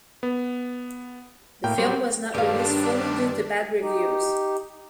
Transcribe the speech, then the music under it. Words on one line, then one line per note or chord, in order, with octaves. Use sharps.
The film was not released fully due to bad reviews.
B3
A2 A#3 G5
F#3 G3 C4
G2 D#3 G3 D4 G4 F5
D#4 G4